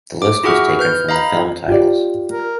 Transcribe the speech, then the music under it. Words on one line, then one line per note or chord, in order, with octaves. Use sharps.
The list was taken from the film titles.
D6
E4 F#4 G#4 F#5 C#6 F6
B4 F6 G6
D#5 F5 A#5 B5
F4 G4 D5
A#4